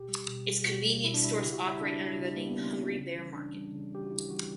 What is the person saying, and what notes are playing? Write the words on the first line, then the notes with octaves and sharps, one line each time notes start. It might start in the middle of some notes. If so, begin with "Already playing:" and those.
Its convenience stores operate under the name Hungry Bear Market.
Already playing: B2 G4
G3
B2
G3
B2 F#4
G3
B2 E4
D4
G3 E4
C#3 G4
F#4
G3
E4
C#3 D4
G3
C#3
G3 A#3
B3
C#3 C#4
G3
C#3
E3 G3
C#3 D4
E3 G3
C#3
E3 G3 G4
F#4
C#3 E4
E3 G3 F#4